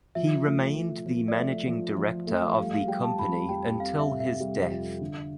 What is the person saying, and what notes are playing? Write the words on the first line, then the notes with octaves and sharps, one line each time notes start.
He remained the managing director of the company until his death.
F3 E5
A3
F3
F3
D5
A3 E5
F3
F3
A3
G3 F5
F5
G3 G5
A5
F2 B5
G3 G5
C4 F5
E5
C3
E5
G3
F2
D3